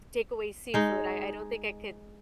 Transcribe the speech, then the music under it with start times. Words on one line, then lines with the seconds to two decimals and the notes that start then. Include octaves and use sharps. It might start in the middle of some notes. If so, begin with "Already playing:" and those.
take away seafood, I I don't think I could
0.74 G#3 D#4